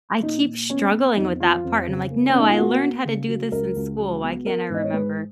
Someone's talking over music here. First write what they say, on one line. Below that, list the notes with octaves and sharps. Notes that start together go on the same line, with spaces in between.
I keep struggling with that part, and I'm like, "No. I learned how to do this in school. Why can't I remember?"
A#2 D#4
A#2
B3 C#4
B3
F2 D#4
F3 F4
F2
C#3
A#3
C#4
B2 D#4
F4
A#3 F#4
A#3
C#3
F#3
C#2 A#4
C#2
F#3
B3
B3 A#4
G#2 D#5
C#5
G#3 B4